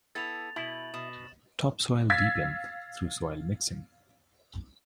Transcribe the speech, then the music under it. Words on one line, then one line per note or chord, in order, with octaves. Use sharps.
Topsoil deepen through soil mixing.
B3 E4 A4 A6 F7
B2 E4 F#7
B2 E7
F5 E6 G#6 A6 B6